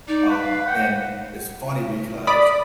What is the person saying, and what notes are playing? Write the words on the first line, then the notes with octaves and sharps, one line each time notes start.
Um, and it's funny because
D#4 D5
B4
F5
F#5 G5
D5 B5 D#6